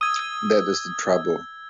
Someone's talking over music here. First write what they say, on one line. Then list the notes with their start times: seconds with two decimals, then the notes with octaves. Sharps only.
That is the trouble.
0.01 D#6 E6 G#6